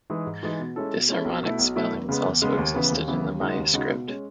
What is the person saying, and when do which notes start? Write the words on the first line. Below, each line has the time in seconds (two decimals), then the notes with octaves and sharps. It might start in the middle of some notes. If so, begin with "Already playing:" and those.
Disharmonic spellings also existed in the Maya Script.
0.10 E3 G#3 D#4 G#4
0.26 G#2
0.43 E3 G#3 D#4 G#4
0.59 B2
0.76 G#3 C#4 E4 A4
0.93 B2
1.08 G#3 C#4 E4 A4
1.25 B1
1.43 B2 A3 E4
1.59 B1
1.76 B2 A3 E4
1.92 E2
2.09 C#3 G#3 B3
2.26 E2
2.42 C#3 G#3 B3
2.57 D#2
2.75 C#3 E3 B3
2.91 D#2
3.07 C#3 E3 B3
3.25 D#2
3.41 C#3 G#3 D#4 F#4
3.57 D#2
3.73 C#3 G#3 D#4 F#4
3.91 B2
4.08 G#3 C#4